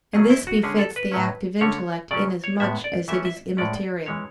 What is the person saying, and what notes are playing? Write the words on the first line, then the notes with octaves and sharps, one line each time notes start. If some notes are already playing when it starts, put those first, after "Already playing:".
And this befits the active intellect inasmuch as it is immaterial.
C#3 F#3 A3 C#4 G#4
E4
F#4
D3 G#3 C#4 G#4
A4
B4
A2 F#3 C#4
D3 A3 C#4 C#5
C#3 F#3 C#4 D5
C#5
A2 G#3 B3 E5
D5
E3 A3 C#4 E5
E5
A2 G#3 C#4 D5
E3 G#3 C#4 C#5